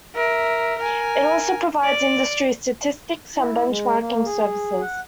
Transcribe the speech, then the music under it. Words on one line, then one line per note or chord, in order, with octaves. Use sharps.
It also provides industry statistics and benchmarking services.
A#4 E5
A#4 G#5
D5
E4
G#3
A#3
G#4
F#5